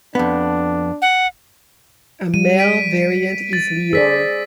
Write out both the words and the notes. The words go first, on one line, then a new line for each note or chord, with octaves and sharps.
A male variant is Leor.
F2 B3 D4
F#5
G3 D#7
B6 D7 D#7
A6
G#4 C5 D5 E6 B6